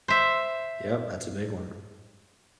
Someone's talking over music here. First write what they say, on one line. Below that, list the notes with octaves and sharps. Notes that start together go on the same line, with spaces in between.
Yep, that's a big one.
C5 E5